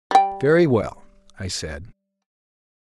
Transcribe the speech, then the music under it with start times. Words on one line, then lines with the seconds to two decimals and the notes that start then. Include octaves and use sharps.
"Very well," I said.
0.11 G3 G5